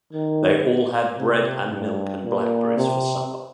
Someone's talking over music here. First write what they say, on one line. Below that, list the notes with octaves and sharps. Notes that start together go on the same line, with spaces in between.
They all had bread and milk and blackberries for supper.
D#3
C3
G2
A#2
C3